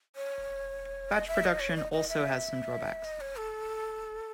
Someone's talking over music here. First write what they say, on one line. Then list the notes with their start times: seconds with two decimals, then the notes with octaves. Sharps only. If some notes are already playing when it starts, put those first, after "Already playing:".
Batch production also has some drawbacks.
0.16 C#5
1.12 D#5
1.28 E5
1.44 D#5
1.60 C#5
1.76 D#5
1.92 D#5
2.09 E5
3.04 D#5
3.21 C#5
3.37 A4